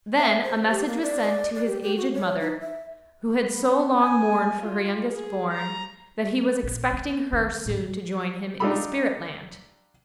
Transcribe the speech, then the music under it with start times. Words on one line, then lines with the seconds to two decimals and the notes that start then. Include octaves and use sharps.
Then a message was sent to his aged mother, who had so long mourned for her youngest born, that he was expecting her soon to join him in the spirit land.
0.17 E5
0.43 C5
0.70 G4
0.86 A#3
1.02 D5
1.55 D5
1.66 G4
1.82 G4
1.97 F#4
2.14 C#5
2.40 D#4
2.60 E5
3.50 B3
3.98 G#5
4.62 F4
5.13 G#4
5.53 A#5
6.63 A#1
6.93 B3
7.32 D#3 B3
7.65 A2 G3
8.60 D4 D#4 F4 G4 A4 B5